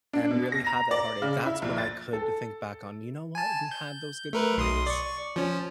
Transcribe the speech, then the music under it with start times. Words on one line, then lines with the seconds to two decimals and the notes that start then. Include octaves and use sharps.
and really had that heartache, that's when I could think back on, "You know what? We had those good times."
0.13 D4
0.31 B2
0.52 A#6
0.67 A#5
0.91 D5
1.22 C#3
1.46 E4
1.62 A#1
1.78 A6
2.13 A4
3.35 G#5 A5
3.71 G6
4.33 A3 A#4 B4
4.57 B1 C6 D#6
4.87 D5 C#6
5.36 F3 C#4